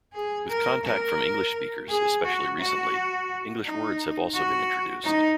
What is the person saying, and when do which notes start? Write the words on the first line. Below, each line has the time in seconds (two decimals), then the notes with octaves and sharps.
With contact from English speakers, especially recently, English words have also been introduced.
0.13 G#4
0.49 A#4
0.83 A#4
1.88 G#4
2.24 F#4
2.58 F#4
3.64 D#4
4.33 F#4
5.03 D#4